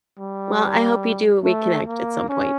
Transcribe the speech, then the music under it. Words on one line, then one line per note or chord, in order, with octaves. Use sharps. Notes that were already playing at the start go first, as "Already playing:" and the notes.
Well, I hope you do reconnect at some point,
G3
A3
A#3
C#4